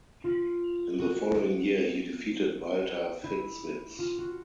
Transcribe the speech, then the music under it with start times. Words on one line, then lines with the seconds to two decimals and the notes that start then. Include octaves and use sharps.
In the following year he defeated Walter Fitzwiz.
0.24 F4
0.99 F#4
3.24 E4
3.99 F4
4.18 F#4